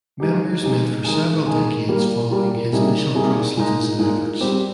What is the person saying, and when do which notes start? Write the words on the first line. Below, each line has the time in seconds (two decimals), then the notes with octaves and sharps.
Members met for several decades following his initial proselytism efforts.
0.20 G#3 D#4 G4
0.62 G#3 D#4 G4
1.04 D#3 G#3 D#4 G#4
1.47 D#3 G#3 D#4 G#4
1.88 A#2 G3 A#3
2.30 A#2 G3 A#3
2.73 C3 G3 A#3 D#4 G#4
3.15 C3 G3 A#3 D#4 G#4
3.56 A#2 G#3 D#4
3.98 A#2 G#3 D#4
4.41 G3 C4 G4